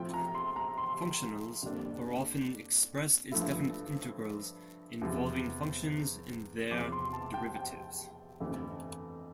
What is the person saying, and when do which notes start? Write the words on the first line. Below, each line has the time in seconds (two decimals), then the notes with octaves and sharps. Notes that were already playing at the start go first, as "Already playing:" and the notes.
Functionals are often expressed as definite integrals involving functions and their derivatives.
Already playing: A2 F3 C4 F4 G5
0.14 A#5
0.35 C6
0.56 A#5
0.78 C6
1.63 F2 D3 G3 A#3 D4
3.32 G2 F3 A3 E4
5.01 E2 C3 F3
6.70 E2 C3 F3 D6
6.92 C6
7.13 A5
7.34 G5
7.56 G5
8.40 G1 F2 E3 A3